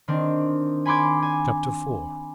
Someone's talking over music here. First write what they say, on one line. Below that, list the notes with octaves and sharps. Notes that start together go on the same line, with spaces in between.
Chapter IV.
D#3 C4 D4
G#5 B5 C6 D6 G#6
G#5